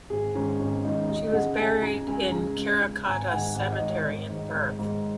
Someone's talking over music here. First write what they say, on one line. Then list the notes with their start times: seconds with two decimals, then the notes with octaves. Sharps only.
She was buried in Karrakatta Cemetery in Perth.
0.10 G#1 G#4
0.35 G#2 D#3 C#4
0.59 G#1 C#4
0.84 G#2 D#3 D#4
1.09 D#2 D#5
1.28 D#5
1.33 C#3 F#5
1.58 D#2 G#5
1.82 C#3 A#5
2.07 C#2 G#5
2.32 C#3 A#5
2.57 C#2
2.82 C#3
3.06 G#1 G#5
3.27 F#5
3.31 G#2 D#3 G#5
3.55 G#1 F#5
3.72 D#5
3.80 G#2 D#3
3.89 C#5
4.05 G#1
4.29 G#2 D#3
4.54 G#1
4.79 G#2 D#3